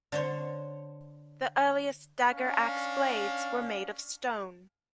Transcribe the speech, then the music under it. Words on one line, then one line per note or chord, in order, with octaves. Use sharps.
The earliest dagger-axe blades were made of stone.
D3 C5 C#5
C#4 D4 F5